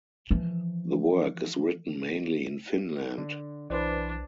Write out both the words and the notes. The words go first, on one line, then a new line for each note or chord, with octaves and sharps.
The work is written mainly in Finland.
E3 F3
D3
B1 E3 D4 B4 C5 D5